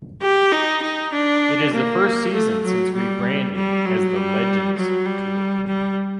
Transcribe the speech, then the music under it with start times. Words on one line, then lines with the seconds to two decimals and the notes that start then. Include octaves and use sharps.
It is the first season since rebranding as the Legends Tour.
0.22 G4
0.52 D#4
0.82 D#4
1.12 D4
1.73 A#3
2.33 A3
2.64 F#3
2.95 G3
3.55 G3
3.85 F#3
4.16 G3
4.77 F#3
5.06 G3
5.67 G3